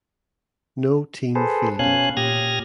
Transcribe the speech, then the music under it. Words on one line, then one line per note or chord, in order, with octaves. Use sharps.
No team fielded.
G#4 A4 B4 C5
B2 C#4 F5 G#5 F#6
A#2 G4 D#6 F6 G#6 A#6